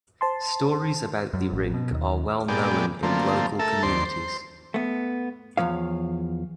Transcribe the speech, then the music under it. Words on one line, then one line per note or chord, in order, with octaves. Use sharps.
Stories about the ring are well known in local communities.
C5 A5 C6
F#2
A1
B2
D#2
A#2 G#3 B3 G4 D5
D3 F3 A3 A#3 C4
A3 A4 A#4 E5
D#2 C4 C5 D5 C6
C5
A3 B3
E2 F3 C#5 F5